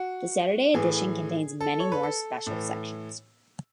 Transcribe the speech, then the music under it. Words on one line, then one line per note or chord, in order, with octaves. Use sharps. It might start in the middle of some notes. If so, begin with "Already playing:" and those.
The Saturday edition contains many more special sections.
Already playing: F#4
A2 E3 G#4
A4
C#5
B4
A4
A2 E3